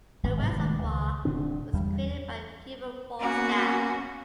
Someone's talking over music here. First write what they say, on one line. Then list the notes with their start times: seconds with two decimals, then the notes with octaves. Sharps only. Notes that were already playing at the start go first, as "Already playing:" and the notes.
The reservoir was created by the Peavy Falls Dam.
0.23 G1 G#2 D#3 B3
0.40 G#2 C3 F#3 G3
0.57 D1 D#3 G#3 A3
0.83 C#2
1.25 D#1 D3 C4 D4
1.73 E2 G3
3.20 A#3 B3 C#4 F#4